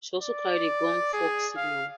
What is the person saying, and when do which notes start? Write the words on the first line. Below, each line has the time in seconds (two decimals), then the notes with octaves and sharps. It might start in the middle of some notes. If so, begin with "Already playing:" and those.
She also carried a gong fog signal.
0.22 D5
1.14 G#4
1.57 F5